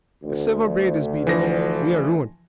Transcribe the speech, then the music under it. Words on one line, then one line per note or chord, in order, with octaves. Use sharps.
If Silver Braid is beaten we are ruined.
D2
E3 F3 A#6